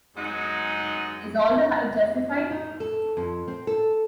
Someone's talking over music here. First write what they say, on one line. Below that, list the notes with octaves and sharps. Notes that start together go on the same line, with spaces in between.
Is all the hype justified?
F#3 G#3 B3 D#4
D#4
A4
F2
C4
A4